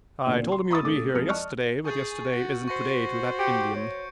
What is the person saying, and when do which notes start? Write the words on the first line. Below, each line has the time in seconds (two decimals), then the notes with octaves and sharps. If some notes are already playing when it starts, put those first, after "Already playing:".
I told him you would be here yesterday, but yesterday isn't to-day to that Indian.
0.26 A#2 D3 C4
0.52 C6
0.70 A#5 B5 C#6 D#6 E6 A6
0.82 A2 C#3 A4 D6
1.14 F2 G#3 F6 C#7
1.28 D5 D#5 A5 C#6 F6 F#6
1.85 G#4 G#5 C#6 G6 A6
2.33 F#4
2.68 F#4 C5 C#6 A#6 C#7
3.39 G4 G6 C#7 D7
3.75 C#5